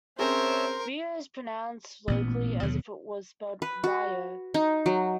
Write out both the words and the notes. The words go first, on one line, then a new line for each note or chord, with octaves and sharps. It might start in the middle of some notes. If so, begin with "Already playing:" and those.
Rio is pronounced locally as if it were spelled Rye-oh.
C4 C#4 G#4 A#4 C5 C#5 E5 A5
A1 A#2 B3
D#2 B2 D3 F#3
B4
F#4
D#4
F#3